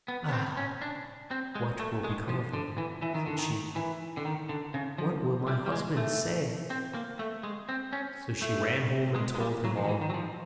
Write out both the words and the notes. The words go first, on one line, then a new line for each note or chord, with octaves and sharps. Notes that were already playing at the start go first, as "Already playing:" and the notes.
'Ah! what will become of me?' said she; 'what will my husband say?' So she ran home and told him all.
B3
B3
C4
C#4
D4
C4
G#3
A3
G#3
F3
D3
E3
E3
D#3
D3
D#3
E3
D3
D#3
D3
C#3
F3
G3
G3
G#3
A3
C4
A#3
A3
G#3
C4
C#4
A3
G#3
G#3
G3
F#3
F3
D#3
E3
D#3
F#3
F3